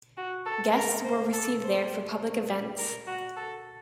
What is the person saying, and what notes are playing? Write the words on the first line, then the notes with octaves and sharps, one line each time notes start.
Guests were received there for public events.
F#4
A4
A#4
C5
A4
C5
A#4
F#4
A4